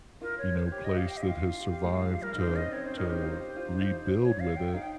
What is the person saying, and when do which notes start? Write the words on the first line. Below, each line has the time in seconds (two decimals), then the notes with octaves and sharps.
you know, place that has survived to to rebuild with it.
0.21 F4 A#4
0.38 C#5
0.55 C5
0.72 G4 C#5
0.84 D#5
0.97 F5
1.09 G5
1.17 D#5
1.22 F4 F5
1.47 F4
1.60 G4
1.72 G4
1.85 G#3
1.98 F3
2.10 F3
2.22 G3 A#4
2.35 D#4
2.40 C5
2.47 C#4
2.56 C4 D#5
2.73 C4 C#5
2.85 C#4 C5
2.97 D#4 A#4
3.10 G4 C5
3.23 F4
3.40 G4
3.56 F4
3.68 D#4
3.81 F4
4.23 C#5
4.40 F5
4.57 G5
4.73 D#4 F5
4.83 G5